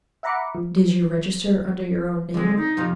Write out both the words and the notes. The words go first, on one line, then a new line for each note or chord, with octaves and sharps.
"Did you register under your own name?"
E5 F#5 A#5 B5 D6 C#7
F3
D3 G#3 C4
D#4
F2 C3 F3